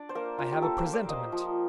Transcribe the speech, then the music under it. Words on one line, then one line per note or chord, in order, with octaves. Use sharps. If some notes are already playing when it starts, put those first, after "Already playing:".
I have a presentiment.
Already playing: D4 D5
C5
A#3 A#4
F4
G4
A#3 A4
C5
A#3
D5
A#3 D#5
F3